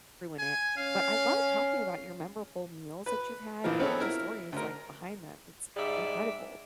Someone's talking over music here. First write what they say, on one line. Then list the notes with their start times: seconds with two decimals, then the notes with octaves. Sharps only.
ruin it, but I loved talking about your memorable meals that you've had and all the stories, like, behind them, it's incredible.
0.39 G#5
0.77 C#4 F5
3.06 B4 B5
3.64 A#1 A#2 E3 F3 A#4
3.80 B3 C4 G#4 A4 C#5
4.00 E4 A#4 F6
4.52 D2 A#4
5.77 G#2 G3 G#3 D5 E5